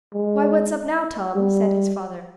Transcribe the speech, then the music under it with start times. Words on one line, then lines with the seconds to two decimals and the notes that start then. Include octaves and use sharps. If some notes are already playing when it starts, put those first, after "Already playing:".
"Why, what's up now, Tom?" said his father.
0.14 G#3
1.36 G3